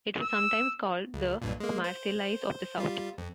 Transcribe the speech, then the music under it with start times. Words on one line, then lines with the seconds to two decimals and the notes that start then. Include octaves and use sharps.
It was sometimes called "the Marseillaise of the South".
0.21 E6
1.14 C#2
1.42 B1 G2 A#2
1.60 G#3 A#3
1.84 C5
2.78 G3 F4
3.18 F2